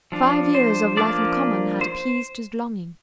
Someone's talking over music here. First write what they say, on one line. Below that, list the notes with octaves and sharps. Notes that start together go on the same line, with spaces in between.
Five years of life in common had appeased his longing.
F3 D4
C5
F3 A#3 D4 D5
C5